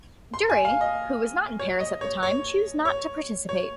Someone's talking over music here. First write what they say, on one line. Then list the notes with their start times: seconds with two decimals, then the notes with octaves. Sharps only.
Durey, who was not in Paris at the time, chose not to participate.
0.34 C6
0.50 G#5
0.65 F5
0.81 D#5
1.59 C#5
1.80 D#5
2.01 C#5
2.23 C#5
2.85 C#5
3.49 C#5